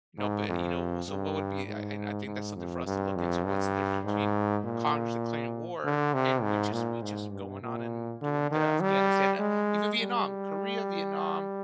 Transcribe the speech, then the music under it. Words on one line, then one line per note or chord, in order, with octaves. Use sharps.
you know, but, you know so what would be I and I think that's something for us to look into. What's the difference between Congress declaring war and we just we just going on and doing the Afghanistan ah, even Vietnam, Korea, Vietnam,
G#2
F2
G2
G#2
G#2
F2
G2
F2
G2
G#2
A#2
D3
C3
G#2
A#2
G#2
G2
A#2
D3
D#3
G3
G#3
G3